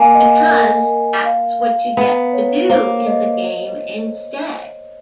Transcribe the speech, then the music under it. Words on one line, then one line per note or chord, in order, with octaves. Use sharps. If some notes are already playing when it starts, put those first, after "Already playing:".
Because that's what you get to do in the game instead.
Already playing: A#3 G#5
D#5
A#4
A#4
F5
F5
B3 A#5
C#5
A#3 C5
D#5